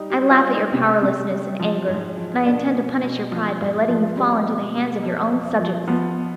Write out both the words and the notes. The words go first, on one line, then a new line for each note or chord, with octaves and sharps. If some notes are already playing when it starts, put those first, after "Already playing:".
"I laugh at your powerlessness and anger, and I intend to punish your pride by letting you fall into the hands of your own subjects."
Already playing: G3 D#4
G4
G3
F4
G3
D#4
C3
C3
G3
F3
G#2
F3
B2 D4
B2
B2
F3
G#2
F3
G3 C4
B2
B2
F2
F2
F3
F3 B3